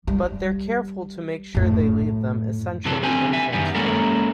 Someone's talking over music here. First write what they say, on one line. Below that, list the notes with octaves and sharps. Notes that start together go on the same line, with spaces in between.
But they're careful to make sure they leave them essentially untransformed.
G3
F#2 A2
F#2 C3 E3 F#3 A4
D3 C4 G4 G#5
E5 G#5
F#2 D#3 G3 B3
G#3 A#3 C#4 E4 A4 A#4